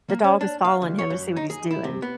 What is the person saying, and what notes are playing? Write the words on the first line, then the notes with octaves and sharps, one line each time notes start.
the dog is following him to see what he's doing.
A#3
C#4
D4
F5
D2
C#5
F#2
D#4
G#4
E4
C3
B3